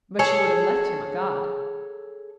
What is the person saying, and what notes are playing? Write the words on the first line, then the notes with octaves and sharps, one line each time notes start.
But she would have left him a god.
G#4 A4 C#5